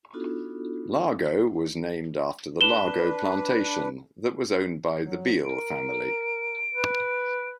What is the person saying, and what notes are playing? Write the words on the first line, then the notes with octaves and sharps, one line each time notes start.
Largo was named after the Largo Plantation that was owned by the Beall family.
B3 D4 D#4 F4 F#4 A4
D4 B4 E7 G7
F#3
A#4 D7
B4